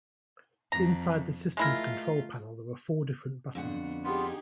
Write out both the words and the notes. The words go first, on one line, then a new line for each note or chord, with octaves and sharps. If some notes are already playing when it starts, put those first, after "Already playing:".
Inside the systems control panel, there are four different buttons.
F2 A#5
G#3 A3 E4 F4 A#4
F2 D3 B3 F#4 F#5
B3 D4 D#4 F4 G4 G#4